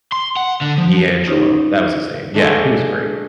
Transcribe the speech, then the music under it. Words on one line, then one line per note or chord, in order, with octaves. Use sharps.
D'Angelo, that was his name, yeah, he was great.
C6
F#5
D3
F3
C#4 D#4 F4 G4 C5 C#5
G#3 A3 D4